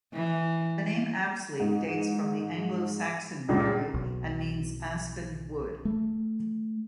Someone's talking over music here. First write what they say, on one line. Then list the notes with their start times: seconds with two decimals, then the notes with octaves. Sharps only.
The name Apsley dates from the Anglo-Saxon period and means "aspen wood".
0.13 E3
1.60 G#2
3.49 C#2 G2 A#2 C#3
3.94 B1
5.85 A3